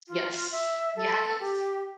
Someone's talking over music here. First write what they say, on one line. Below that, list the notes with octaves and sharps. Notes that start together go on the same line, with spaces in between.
Yes. Yes!
F4
E5
A4
G4